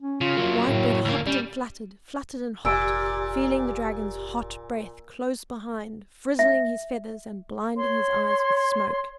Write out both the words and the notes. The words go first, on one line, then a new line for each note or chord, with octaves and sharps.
Whitebird hopped and fluttered, fluttered and hopped, feeling the dragon's hot breath close behind frizzling his feathers and blinding his eyes with smoke.
C#4
C#3 F4
F#3 A#3
A2
D2 A#3
G3 C#4
F1 A#2 G4 G#5 E6 D7
E5
C#5 C6